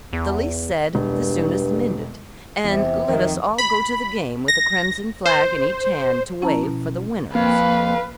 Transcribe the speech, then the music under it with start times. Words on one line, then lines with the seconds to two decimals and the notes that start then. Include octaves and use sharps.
"The least said, the soonest mended, and let us all go to the game with a crimson flag in each hand to wave for the winners."
0.13 E2
0.95 E1 G2
2.64 E2 C3
3.08 F2 D#3
3.58 B5
4.48 A#6
5.26 C5
6.42 F3 C#4 E4 A5 A#5
6.63 B2
7.35 F2 A#3 B4 F5